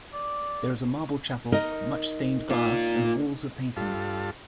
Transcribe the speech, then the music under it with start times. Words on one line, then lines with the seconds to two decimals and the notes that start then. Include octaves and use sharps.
There is a marble chapel, much stained glass and walls of paintings.
0.13 D5
1.52 D#4 A#4 D#5
2.51 A#3 F4
3.76 G2 F4 A4